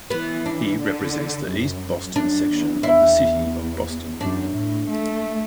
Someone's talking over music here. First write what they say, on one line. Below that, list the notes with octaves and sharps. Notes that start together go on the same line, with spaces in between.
He represents the East Boston section of the City of Boston.
E3 B3
D4
D3
F#2
F#2 D4
E2
E2 E4
F#2 D4
A2
A3